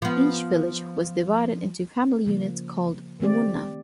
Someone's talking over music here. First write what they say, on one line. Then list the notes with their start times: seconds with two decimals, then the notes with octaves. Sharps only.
Each village was divided into family units called 'umunna'.
0.02 F3 B3
2.26 C#3 F3 A#3
3.20 D#3 A3 C4 G4 D5